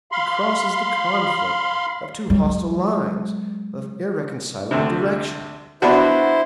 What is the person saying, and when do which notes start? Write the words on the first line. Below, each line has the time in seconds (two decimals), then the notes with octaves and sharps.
The cross is the conflict of two hostile lines, of irreconcilable direction.
0.12 F5 B5 C6
2.30 F#3 G#3
4.71 D2 C3
5.82 B3 D4 E4 F#4 C5